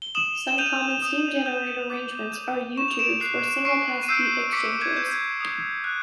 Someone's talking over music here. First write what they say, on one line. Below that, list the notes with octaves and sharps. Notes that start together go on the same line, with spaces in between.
Some common steam generator arrangements are u-tubes or single pass heat exchangers.
G7
D#6 E7 F#7
E7
G6 D#7 F7
D#6
G6
D6
G6
C#6 E7
F7
D7 E7
F#6 C7
C#6 C7 D7
D#7
E6 G6 C7 D7
D6 B6 C#7
G#6
G6
G#6
D#6
F#6